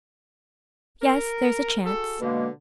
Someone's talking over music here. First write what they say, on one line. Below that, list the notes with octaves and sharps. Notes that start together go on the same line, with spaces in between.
"Yes, there's a chance."
A#4
F#4 G#4 A4
B2 D3 G#3 A#3